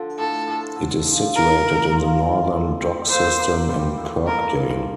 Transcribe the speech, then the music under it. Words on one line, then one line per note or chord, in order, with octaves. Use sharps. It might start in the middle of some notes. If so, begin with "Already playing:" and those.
It is situated in the northern dock system in Kirkdale.
Already playing: D3 F3
A2 A4
A2
D3
F3
A2 A#4
A2
F4
F3
A2
C4
A#3 C5
A#3
G3
A2
G2 A#4
G2